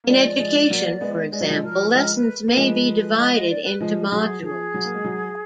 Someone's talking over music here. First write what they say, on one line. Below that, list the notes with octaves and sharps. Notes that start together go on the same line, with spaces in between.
In education, for example, lessons may be divided into modules.
A#3
F3 G#3 D5
F3 G#3
F#3 A#3
G#3 B3
G#3 D5
F#3
F3 G#3
F3 A#4
B4
F3 G#3 A#4
B4
A#3
F3 G#3 B4
D#5
D#5
D5
B4
F3 G#3
F3
F#3 G#4
F3 G#4
F#3
A#3
G#3
F#3